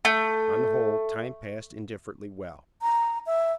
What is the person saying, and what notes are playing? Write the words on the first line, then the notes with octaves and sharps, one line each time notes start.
On the whole, time passed indifferently well.
A3
A#5
E5